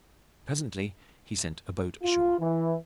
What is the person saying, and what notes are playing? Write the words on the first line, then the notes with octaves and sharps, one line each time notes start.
Presently he sent a boat ashore.
F4
E3